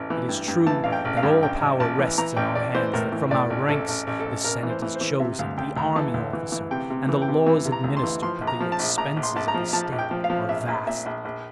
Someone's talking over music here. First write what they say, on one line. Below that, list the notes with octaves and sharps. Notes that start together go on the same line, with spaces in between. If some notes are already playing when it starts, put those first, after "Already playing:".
It is true that all power rests in our hands, that from our ranks the senate is chosen, the army officered, and the laws administered, but the expenses of the state are vast.
Already playing: A1 E3
E3
G2
G2
E3 A5
A1 F5
G5
A1
F5
G2
A1 G5
A1
A1 A5
E3
E3 A#5
A1 G5
A1 D5
E3 C5
A2 A#4
E3
A2 D5
A1
A1 A4
A1
A1
A4
A1
A1 A#4
E3
C5
E3
C5
E3
C3 E5
D2 F5
D2 G5
D2 A#5
E3 A5
D2
E3
E3
C3 G5
C3
E3
G5
C3
E3
C3
A#5
D2
C6
E3
F3 C6
A#1
A#5
F3
A5
A#1
A#1 A#5
A#1
C6
A#1 A5
A#5
F3
F3 A5
A#1
G5
F3
F5
F3
A#1 E5
A#1
A#2 E5
A#1
A#1